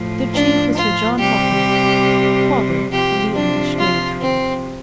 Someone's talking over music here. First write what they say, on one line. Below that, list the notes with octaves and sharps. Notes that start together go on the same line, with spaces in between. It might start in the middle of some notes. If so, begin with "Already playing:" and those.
Their chief was Sir John Hawkins, father of the English slave-trade.
Already playing: A2 F3
D4
F4
C3 G3 G4
C3 F3 G4
D4
F4
C4